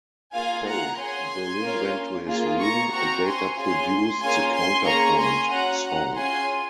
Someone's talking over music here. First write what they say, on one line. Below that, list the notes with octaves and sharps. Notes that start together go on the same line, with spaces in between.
So, Berlin went to his room and later produced the counterpoint song.
A#3 F4 G#4 F5 G#5
F#5 A#5
C#4 G#4 G#5 C6
A#3 C#4 F4
A#3 F4 G#4
A#5 C#6
C4 F#4 A#5 C#6
G#5 C6
C#4 F4 G#4 G#5 C6
A#3 C#4 F4 G#4 G#5 C6
G#5 C6
A#3 C#4 G#4 A#5 C#6
G#5 C6
C#4 F#4 F#5 A#5
F#5 A#5
C#4 F4 G#4 G#5 C6